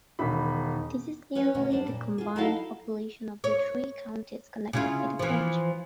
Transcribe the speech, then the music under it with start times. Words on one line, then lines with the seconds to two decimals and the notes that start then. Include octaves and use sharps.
This is nearly the combined population of the three counties connected by the bridge.
0.19 E1 D#3 B5
1.35 C#4 B4 C#5
1.55 D2 B2 C#4 C#5 D#5
1.71 G3 D4 C5
1.88 A#2
2.18 F4 G#4
2.36 D#4 E4 F#4 A4 D#5 F5
3.44 C#5
4.73 C#3 E4 F4
5.19 E3 F3